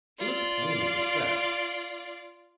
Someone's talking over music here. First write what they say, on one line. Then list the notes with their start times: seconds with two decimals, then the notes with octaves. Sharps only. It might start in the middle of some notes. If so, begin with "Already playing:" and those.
She looked plainly distressed.
0.19 F4 D5